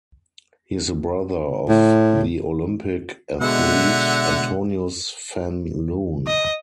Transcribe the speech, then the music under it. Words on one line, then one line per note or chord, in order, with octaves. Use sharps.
He is the brother of the Olympic athlete Antonius van Loon.
A2
B2 D3 G#3 E5 F#5
D#5